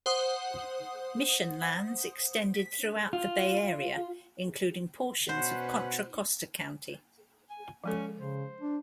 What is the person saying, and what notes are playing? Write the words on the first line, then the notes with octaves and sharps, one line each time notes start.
Mission lands extended throughout the Bay Area, including portions of Contra Costa County.
C5 F#5 D#6
B6
F4
B2 C#4 B4 C5 F#5
G#5
F3 G#3 C#4 A4
C#3 C5
D4